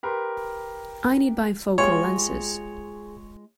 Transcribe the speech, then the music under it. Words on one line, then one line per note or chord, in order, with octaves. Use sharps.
I need bifocal lenses.
G4 A#4 B4 C6
G#3 F4 G4 G#4 C#5 G#5 C6